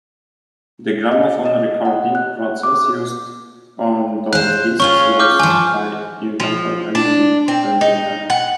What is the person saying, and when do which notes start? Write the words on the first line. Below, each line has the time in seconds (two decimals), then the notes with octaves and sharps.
The gramophone recording process used on these discs was by inventor Emile Berliner.
1.12 D#5
1.45 D#5
1.85 F#5
2.15 F#6
2.63 D6
4.33 C5 F5 F#6
4.80 C#4 F4 G#4 C#6 G7
5.20 D6 F6 G6
5.39 G2 F3 G#5
6.40 F3
6.95 D4
7.48 C4
7.81 D#4
8.30 F#5